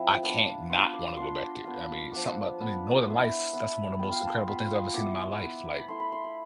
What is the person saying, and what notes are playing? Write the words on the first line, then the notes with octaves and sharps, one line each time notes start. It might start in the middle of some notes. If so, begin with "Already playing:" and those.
I can not want to go back there, I mean, something about, I mean, Northern Lights, that's one of the most incredible things I've ever seen in my life, like,
Already playing: F3 C4 E4 A5
B3 D4 F4
B3 D4 F4 C6
D6
B3 D4 F4 C6
B3 D4 F4
F3 B3 D4 D6
F3 B3 D4
B3 E4 C6
B3 E4
B3 F4 G5
F5
A5
C6
B3 F4 B5
C6
C6
B3 E4 D6
C6
B3 E4
B5
A3 E4 C6
B5
C6
B5